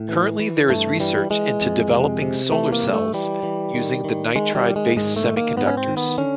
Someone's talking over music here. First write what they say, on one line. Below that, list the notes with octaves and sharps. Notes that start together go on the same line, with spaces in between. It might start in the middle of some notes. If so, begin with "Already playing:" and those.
Currently there is research into developing solar cells using the nitride based semiconductors.
Already playing: A2
E3
E3
G2 A3
E3 G3
E3 G#3
F2
C3
C3
E3 A3
A#3
G2
A3
E3 G3
E3
D#3
D#3
D#3 G#3
G3
D#3
G#3
G#2 G#3
A3
D#3
A#3
G#2 B3
C#4
C4
D#3
B3
D3 C#4